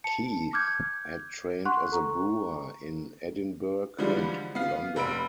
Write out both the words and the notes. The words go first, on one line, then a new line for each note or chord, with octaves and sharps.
Keith had trained as a brewer in Edinburgh and London.
A5 C#7
D6 F6 G6 G#6
F#5 C6 C#6 F#6
A4 A#5 C#6
D3 E3 F3 G3 G#3
B3 F5
F1 B5 E6 D7